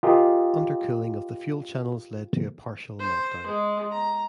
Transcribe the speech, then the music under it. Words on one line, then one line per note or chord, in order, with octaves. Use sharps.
Undercooling of the fuel channels led to a partial meltdown.
F4 G4 G#4 A#4 D#5
C5
G#3
A#5